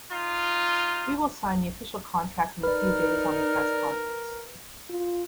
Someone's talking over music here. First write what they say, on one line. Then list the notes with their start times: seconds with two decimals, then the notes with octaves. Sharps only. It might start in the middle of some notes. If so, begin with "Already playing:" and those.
We will sign the official contract in a few days on the press conference.
0.11 D#4 F4
2.63 D#4 A#4 B4 D5 F6
4.90 F4